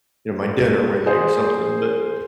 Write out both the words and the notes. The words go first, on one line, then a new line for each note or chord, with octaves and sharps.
you know, my dinner with me or something, but
G#4 C5